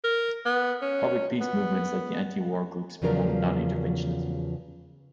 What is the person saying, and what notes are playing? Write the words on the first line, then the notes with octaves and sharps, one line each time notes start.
Public peace movements like the anti-war groups promote non-interventionism.
A#4
B3
C#4
B3
E2 C#3 F3 F#3 A#4 D5